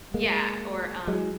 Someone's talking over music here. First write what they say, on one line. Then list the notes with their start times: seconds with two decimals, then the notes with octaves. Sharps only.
Yeah. Or, um
0.14 G#3 A#3
1.07 F#3 G#3